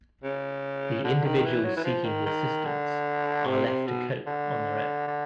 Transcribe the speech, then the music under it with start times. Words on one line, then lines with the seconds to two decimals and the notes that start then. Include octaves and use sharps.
The individuals seeking the assistance are left to cope on their own.
0.24 C#3
1.04 D3
1.24 D#3
1.45 E3
1.65 F#3
1.76 E3
1.84 F3
2.05 D#3
2.26 D#3
2.65 D3
3.46 C3
3.67 C3
3.87 B2
4.27 D3
5.07 D3